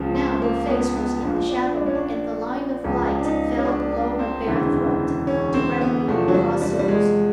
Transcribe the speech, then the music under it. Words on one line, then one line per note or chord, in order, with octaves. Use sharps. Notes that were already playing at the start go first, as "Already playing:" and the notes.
Now her face was in the shadow and the line of light fell below her bare throat, directly across her bosom.
Already playing: C#2 C#3 F3
C4
A#3
B3
B3
A#1 A#2 F3
D4
D4
C#4
D4
C#2 C#3 F3
D4
D#4
C#4
D4
D4
C4
E1 D2 C#3 E3
C#4
C4
B3
E2 C3 F3 A3
F#3
G3
G3
G3
G#3